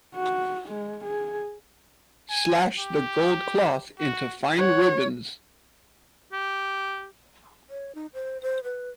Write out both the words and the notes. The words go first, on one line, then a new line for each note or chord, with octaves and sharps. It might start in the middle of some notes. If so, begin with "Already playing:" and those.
Slash the gold cloth into fine ribbons.
F#4
G#3
G#4
G#5
G4
F#4
C#5 F#5
G4
C#5
D#4
C5
C5
B4